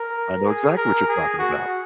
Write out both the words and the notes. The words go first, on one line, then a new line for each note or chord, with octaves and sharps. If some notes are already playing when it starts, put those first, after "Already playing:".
I know exactly what you're talking about.
Already playing: A#4
G#4
A#4
G#4
F#4